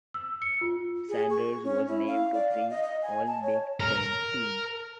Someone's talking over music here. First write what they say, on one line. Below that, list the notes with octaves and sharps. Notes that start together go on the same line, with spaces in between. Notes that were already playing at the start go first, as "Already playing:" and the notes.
Sanders was named to three All-Big Ten teams.
E6
C#7
F4
G#4
C#6
C#4
E4
F5
D5
F5
D#5
D#5
G#5
A5
C#5
A#4